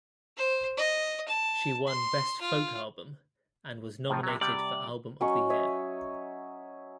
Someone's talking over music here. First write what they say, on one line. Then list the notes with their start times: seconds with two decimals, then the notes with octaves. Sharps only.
She won Best Folk Album and was nominated for Album of the Year.
0.37 C5
0.77 D#5
1.28 A5
1.87 C6
2.41 F4
4.10 A2 D#3 F3
4.23 C3 F#3
4.41 C3 G3 D5 F#5
5.21 F#3 C#4 D#5 C#6
5.50 C#5 D#5 E5